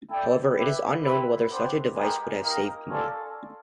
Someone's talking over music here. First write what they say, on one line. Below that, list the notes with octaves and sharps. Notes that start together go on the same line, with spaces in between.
However, it is unknown whether such a device would have saved Moore.
E4 A4 D5 G5
E4 G4 B4 E5
C4 E4 G4 B4
B3 D4 G4 C5
G#3 B3 D#4 G4 A#4
A#3 D#4 G4 A#4
C#4 F4 A4 D5